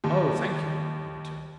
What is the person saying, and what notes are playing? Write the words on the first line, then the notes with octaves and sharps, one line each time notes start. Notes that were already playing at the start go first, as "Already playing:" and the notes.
"Oh, thank you!" he returns.
D#2